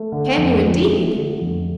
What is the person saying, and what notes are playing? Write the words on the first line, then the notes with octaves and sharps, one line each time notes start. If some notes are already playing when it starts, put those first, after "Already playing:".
"Can you, indeed!"
Already playing: A3
D3
F2
F3
A3
D3
F2